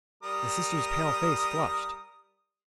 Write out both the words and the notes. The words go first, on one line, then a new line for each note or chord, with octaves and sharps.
The sister's pale face flushed.
G3 A#4 D#6